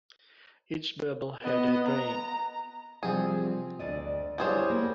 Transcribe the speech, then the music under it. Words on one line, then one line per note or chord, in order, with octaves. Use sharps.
Each bubble had a drain.
B3 D#5
A#5
C3 F3 G3 C4 G#4
D2 D5 D#5
G3 E4 G4 G#4 C5 C#5
A#3 B3